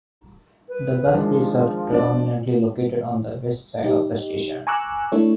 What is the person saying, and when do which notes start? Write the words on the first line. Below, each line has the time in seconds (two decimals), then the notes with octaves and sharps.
The bus bays are predominantly located on the west side of the station.
0.68 B4
1.14 D#3 F3 G#3 D4
1.92 D4 C5 D5
3.84 D#4 G4
4.67 G#5 A#5 C#6 D6 E6 F#6
5.12 A3 D4 E4 A4 C#5